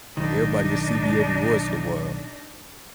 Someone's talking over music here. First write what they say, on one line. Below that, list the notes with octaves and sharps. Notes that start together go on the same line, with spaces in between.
everybody will see me every once in a while.
B1 D#3 D4 D#4